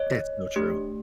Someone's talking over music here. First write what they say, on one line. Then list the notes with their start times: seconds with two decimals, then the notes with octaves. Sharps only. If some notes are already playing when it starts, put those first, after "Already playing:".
That's so true.
Already playing: C#5 D#5
0.56 A3 D4 G4